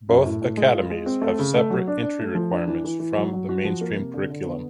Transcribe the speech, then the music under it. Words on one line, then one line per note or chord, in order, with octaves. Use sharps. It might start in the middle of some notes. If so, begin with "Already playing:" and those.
Both academies have separate entry requirements from the mainstream curriculum.
F#2
A2
A2
G#3
F4
G#3
C4
A3
C#3
A3
F#3
D4
D4
A3
F3
D4
E3
E3
E3
F#3
F#3
F#4
F3
A#3
C3
D3
D3
B3